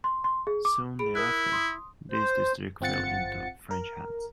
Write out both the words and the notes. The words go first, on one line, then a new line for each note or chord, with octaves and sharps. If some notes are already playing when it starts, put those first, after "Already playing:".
Soon thereafter, this district fell into French hands.
C6
C6
G#4
D6
G#4 B5 D7
E4 A#4 D#6 F#6
C6 D#6
C5
G1 C4 F4 F#5 A6 C#7
A#4